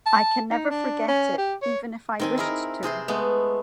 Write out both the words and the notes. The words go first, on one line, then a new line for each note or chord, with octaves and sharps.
I can never forget it, even if I wished to.
A5
D#4
D4
C#4
G4
C#5
D#3 C4 G#5
E4 G#4 A#4
C3 G#4 C5 C6
G#3 A3 B3